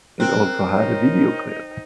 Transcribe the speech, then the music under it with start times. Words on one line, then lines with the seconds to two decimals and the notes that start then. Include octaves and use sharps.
It also had a video clip.
0.20 C4 A#4 F#6
0.76 D#4 C#5